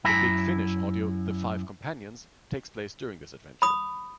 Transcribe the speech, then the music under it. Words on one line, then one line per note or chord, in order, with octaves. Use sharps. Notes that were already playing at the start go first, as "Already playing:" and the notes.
The Big Finish audio "The Five Companions" takes place during this adventure.
F#2 E4 E5 A#5 B5
B5 D#6